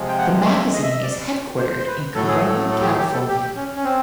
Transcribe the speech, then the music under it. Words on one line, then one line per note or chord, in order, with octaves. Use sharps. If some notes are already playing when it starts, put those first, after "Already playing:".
The magazine is headquartered in Corona, California.
Already playing: C3 F3 G#3
G5
F#5
E5
D#5
E5
D#5
D5
C5
C5
B4
A2 F#3 A3 A4
G#4
A4
A4
G4
G#4
G4
A4
G4
C#4
C#4
C4